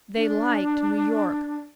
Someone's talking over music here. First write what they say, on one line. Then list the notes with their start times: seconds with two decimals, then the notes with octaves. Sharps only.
They liked New York.
0.15 D4